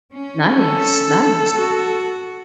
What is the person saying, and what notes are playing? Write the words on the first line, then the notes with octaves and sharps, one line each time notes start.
Nice, nice.
C#4
A4
F#4